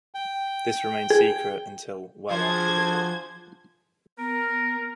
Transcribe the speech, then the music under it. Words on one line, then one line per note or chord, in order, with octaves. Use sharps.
This remained secret until well after the war.
G5
G#4
F3 D4 F#4 G#4 C5 G#6
B3 A#4